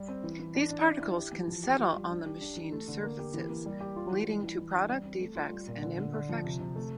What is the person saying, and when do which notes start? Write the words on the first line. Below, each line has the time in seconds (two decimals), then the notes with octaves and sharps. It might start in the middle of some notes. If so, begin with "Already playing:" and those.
These particles can settle on the machined surfaces, leading to product defects and imperfections.
Already playing: G3
0.08 C4
0.24 E3
0.40 E3
0.55 D4
0.71 D4
0.86 E4
1.01 E4
1.16 G4
1.33 E3
1.48 F3
1.63 G4
1.79 F4
1.94 G3
2.10 D4
2.26 G4
2.41 D4
2.57 E3
2.72 A3
2.88 D3
3.03 A#3
3.19 G4
3.34 E3
3.50 A#3
3.66 G3
3.81 G4
3.96 F4
4.12 E3
4.28 G3
4.43 E3
4.58 E3
4.74 D4
4.89 G3
5.05 C4
5.21 A3
5.35 F4
5.51 G3
5.68 A#2
5.82 D3
5.98 D3
6.14 D3
6.29 F3
6.44 C3
6.60 C3
6.76 A3